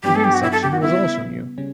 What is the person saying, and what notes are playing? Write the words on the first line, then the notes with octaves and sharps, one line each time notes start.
The wing section was also new.
G2 F#3 B3 D4 G4
A4
G4
F#4
E4
A4
G4
F#4
C#3 G3 B3 E4
C#3 G3 C#4